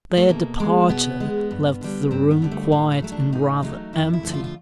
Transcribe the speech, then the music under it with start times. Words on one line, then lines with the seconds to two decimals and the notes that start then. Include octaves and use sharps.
Their departure left the room quiet and rather empty.
0.17 A3
0.29 B2 A#3
0.60 G#3
0.89 B2 B3
1.20 G#3
1.51 G2
1.81 D3 G3
2.11 G2 C4
2.31 B3
2.42 D3 G3
2.51 A3
2.72 A2 A#3
2.92 A3
3.02 F#3 A3
3.12 D4
3.33 A2 D#4
3.62 F#3 A3
3.93 F2 E4
4.13 E4
4.23 D3 F3 A3
4.34 F4
4.44 F4